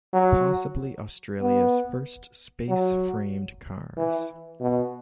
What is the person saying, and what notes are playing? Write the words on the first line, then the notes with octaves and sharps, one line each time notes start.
Possibly Australia's first space-framed cars.
F#3
B3
F#3
E3
B2